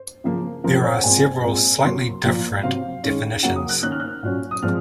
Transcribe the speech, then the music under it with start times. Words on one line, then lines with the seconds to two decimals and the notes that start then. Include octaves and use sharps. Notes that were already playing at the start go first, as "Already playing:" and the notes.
There are several slightly different definitions.
Already playing: C5
0.24 C#3 F3 A#3
0.64 C#3 F3 C4 A#4
0.74 C5
0.84 C#5
0.94 F#5
1.03 A#2 G#3 C4 G#5
1.44 A#2 G#3 C4
1.84 C3 F#3 A#3 C6
2.24 A#2 F3 A#3
2.63 C3 F#3 C4 F5
3.04 D#3 G#3 C#4
3.43 C#3 F#3 A#3 F#5
3.56 D#6
3.69 F#6
3.82 D#3 A#3 C#4 F#6
3.92 F6
4.00 F#6
4.23 A#2 F#3 C#4
4.51 D#6
4.62 A#2 F3 G#3 C4 F6